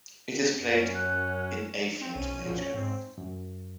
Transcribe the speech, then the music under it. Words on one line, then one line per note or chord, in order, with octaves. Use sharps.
It is played in A-flat major.
F#2 C#4
F#6
C4
B1 C#4 D#7
F#2 A#2 F3 F#3
C#4 C#5
G#2 C4
F#2